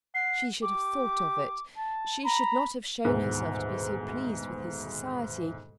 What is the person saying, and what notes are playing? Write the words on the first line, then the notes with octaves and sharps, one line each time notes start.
She should have thought of it; she should not have shown herself to be so pleased with his society.
F#5 C7
G4 D6
A5
A#5 B5
D#1 D2 G#2 B2